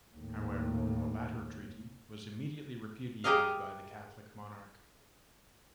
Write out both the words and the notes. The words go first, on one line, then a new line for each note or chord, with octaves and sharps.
However, the latter treaty was immediately repudiated by the Catholic Monarch.
D#2 A2
G4 G#4 A#4 D#5 F5